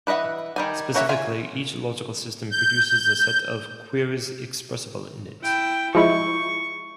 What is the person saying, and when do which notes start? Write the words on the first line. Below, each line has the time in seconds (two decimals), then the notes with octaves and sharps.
Specifically, each logical system produces a set of queries expressible in it.
0.07 E3 B4 D#5 E5 F#5
0.56 D#3 G3 G#5
0.94 A#3 C#4 F#4 C#5 E5
1.09 F4 E5 G#5
2.52 G6
5.41 E4 G5
5.95 F3 G#3 E4 C#6